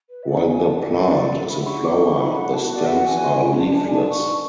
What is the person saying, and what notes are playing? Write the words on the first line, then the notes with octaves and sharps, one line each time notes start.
While the plant is in flower the stems are leafless.
B4
E5
D5
D3 G#3 B3 D4 F#4 G#5
A5
D5
D5
C#3 F#3 C#4 E4 B5
C#6
D6
C#6
B5
F#5
E3 B3 F#4 A5
D5
E5
F#5
G#5
B2 G#3 D4 A5
A5
G#5
A5
C#6